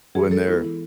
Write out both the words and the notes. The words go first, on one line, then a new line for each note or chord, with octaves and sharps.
when they're
E3 G#4
G#3 A4
B3 E4
E3 E4